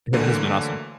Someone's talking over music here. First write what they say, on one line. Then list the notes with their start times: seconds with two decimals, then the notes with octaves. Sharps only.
It has been awesome.
0.13 D2 D3 E3 F#3 A#3